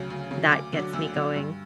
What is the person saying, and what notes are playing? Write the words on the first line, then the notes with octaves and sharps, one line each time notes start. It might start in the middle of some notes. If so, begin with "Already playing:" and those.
that gets me going.
Already playing: D2 C#3 F#3
D2
C#3 F#3
D2 D6
D3 F#3
D2 E6
D3 F#3
G2